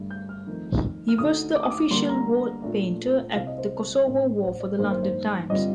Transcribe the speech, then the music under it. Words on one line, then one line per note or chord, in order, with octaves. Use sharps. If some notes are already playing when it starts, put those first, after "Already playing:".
He was the official war painter at the Kosovo War for the "London Times".
Already playing: G2 D3 A3
G6
F6
F2 D#3 A3 D#4
F6
D2 D3 A3 D#4 D#6
D6
D#6
D6
D3 G3 A#3 C6
A#5
A#2 A3 D4
C2 C3 G3 F5
D#5
C5
A2 A3 D4 C5
C5
D5
G2 D#3 A#3 D#4 C5
C5
C5
G2 D3 G3 C4 F4 D#5